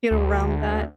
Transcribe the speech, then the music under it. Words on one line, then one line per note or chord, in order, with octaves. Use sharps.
get around that.
D2